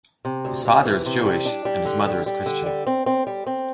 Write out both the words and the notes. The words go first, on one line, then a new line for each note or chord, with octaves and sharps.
His father is Jewish, and his mother Christian.
C3
D2
C3
E3
C3
G3
D4
G3
D3
G3
G3
D3
G3
C4
C4
G3
C4